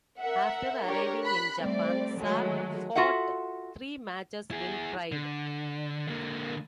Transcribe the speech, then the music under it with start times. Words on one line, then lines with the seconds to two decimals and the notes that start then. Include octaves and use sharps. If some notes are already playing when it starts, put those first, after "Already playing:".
After arriving in Japan, Sapp fought three matches in Pride.
0.20 A#4 E5 F#5
0.84 D4 G4 A#4 C#5
1.23 B5 F#6
1.60 G3 A3 C4 D5
2.18 D#3 F#3 G#3 A3
2.95 F4 F#4 A4 E5 F#5
4.51 E4 G#4
5.12 D3
6.07 D3 A#3